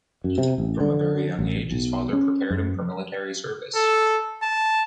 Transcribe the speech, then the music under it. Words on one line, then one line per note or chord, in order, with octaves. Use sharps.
From a very young age, his father prepared him for military service.
F#2
C3
A1
D3
A1
B1
C#4
F#2
A4
A5